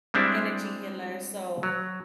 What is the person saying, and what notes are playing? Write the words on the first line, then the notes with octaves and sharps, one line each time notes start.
energy healer, so
G3 G#3 C4 D4 E4
F#3